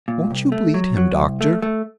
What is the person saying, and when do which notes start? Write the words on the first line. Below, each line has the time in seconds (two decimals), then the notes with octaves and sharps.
Won't you bleed him, doctor?
0.08 A#2
0.31 C2
0.52 A3
0.74 F#3
0.97 F#3
1.19 C2
1.41 A3
1.62 A3